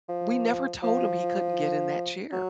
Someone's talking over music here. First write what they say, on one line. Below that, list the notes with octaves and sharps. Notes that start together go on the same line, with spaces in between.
we never told him he couldn't get in that chair.
F3
F3
F#3